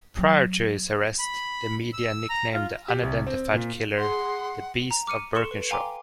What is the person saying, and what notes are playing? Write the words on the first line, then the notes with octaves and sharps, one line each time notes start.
Prior to his arrest, the media nicknamed the unidentified killer "the Beast of Birkenshaw".
F#3
B5
E6
A#5
F4
G4
C2
C4
A#2
G#4 F#5 C6
A#5
D6 F6 C#7 D#7
A4 C6 C#6 C#7 E7
B4
F5 G5 G#5 A#5 C6 D6